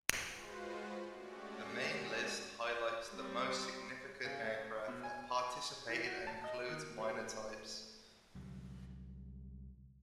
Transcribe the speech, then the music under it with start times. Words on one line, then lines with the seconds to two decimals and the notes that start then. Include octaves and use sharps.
The main list highlights the most significant aircraft that participated and includes minor types.
0.19 G#3 F4 F#4 B4 C5
1.10 G#3 A3 C#4 F#4 G4 D5
3.10 G3 C4
4.25 C#3
4.43 A3
4.88 B2
5.03 G#5
5.89 E3
6.05 F#4
6.27 A5
6.44 D#5
6.69 D#3
6.98 A3 F#4 G4 B4
8.35 C2 D3 F#3 G3